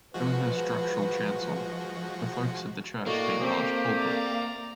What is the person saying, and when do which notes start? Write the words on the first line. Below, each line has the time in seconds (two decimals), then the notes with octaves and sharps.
There was no structural chancel, the focus of the church being a large pulpit.
0.14 F3 G#3 F#4 B4
3.06 A2 A#3 F#4 D5 D#5
3.41 A3 C4 G4 C5
3.96 D5 A#5